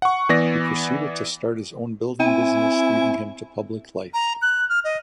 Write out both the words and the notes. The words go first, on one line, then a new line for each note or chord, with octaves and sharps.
He proceeded to start his own building business leading him to public life.
F#5 C#6
E3 B3 D5 A#6
C4 E4 G#5
A#5
F#6
F6
D#5